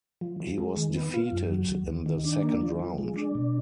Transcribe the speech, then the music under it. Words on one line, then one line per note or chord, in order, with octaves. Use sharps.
He was defeated in the second round.
F3
F3
G#3
D#3
B3
F4
F#2
F#3
D#2
D#2
D#3
D4
A#3
F3
F3
G#3
D4
B2